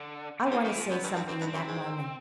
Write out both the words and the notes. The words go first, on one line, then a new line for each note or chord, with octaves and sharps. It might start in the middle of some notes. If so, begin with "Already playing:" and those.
I want to say something in that moment.
Already playing: D3
C3
G#2 C#3
F#2 D#3
E3
F2
F3
F#2 B3
G2 C#4
C4
G2
F#2 C4
G2
C4
F#2
G#2